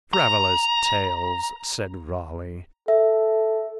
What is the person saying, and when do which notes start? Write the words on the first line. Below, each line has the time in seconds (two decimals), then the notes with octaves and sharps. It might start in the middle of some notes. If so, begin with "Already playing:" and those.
"Travellers' tales," said Raleigh.
0.13 A#5
2.88 A4 E5